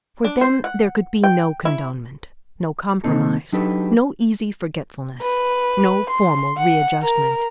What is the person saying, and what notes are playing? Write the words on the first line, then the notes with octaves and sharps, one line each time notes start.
For them there could be no condonement, no compromise, no easy forgetfulness, no formal readjustment.
D4
C5
F#5
G5
E4
C3 D#3 A#3 C4 D#4 A4
F#3 D4 D#4 G4 A4 B4
B4
C6
F#5
A#4